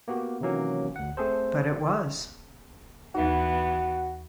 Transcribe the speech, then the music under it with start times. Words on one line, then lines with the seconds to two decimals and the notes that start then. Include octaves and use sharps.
But it was.
0.08 A#3 B3 F#4 G4
0.41 C3 D#3 E3 F#3 A#3 C#4
0.96 D2 F#5
1.17 A3 C4 G#4 A4 C5
3.15 D#2 E3 B3 D#4 F#4